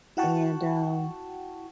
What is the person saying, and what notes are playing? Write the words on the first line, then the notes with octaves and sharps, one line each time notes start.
And, um
E4 F#4 F#5 G5 A5 C#6